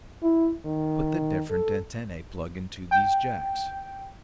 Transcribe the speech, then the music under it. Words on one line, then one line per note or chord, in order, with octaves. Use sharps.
Put the different antennae plug into these jacks.
E4
D#3
A4
G5